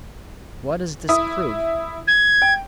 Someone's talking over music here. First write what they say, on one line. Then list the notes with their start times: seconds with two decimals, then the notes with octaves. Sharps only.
What does this prove?
1.09 E4 D#6
2.07 G#6
2.42 G5